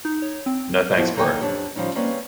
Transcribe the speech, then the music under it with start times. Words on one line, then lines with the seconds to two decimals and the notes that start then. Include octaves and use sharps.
No thanks bro.
0.05 D#4
0.22 C#5
0.46 C4
0.97 F3 B3 E4 F#4 G4 C5
1.16 D#2 F#3 D#4 A#4 G5 G#5
1.41 F2 D4 G4 C#5
1.76 D3 F3 G3 C#4 D#4
1.95 G3 A#3 C4 C#4 B4 D5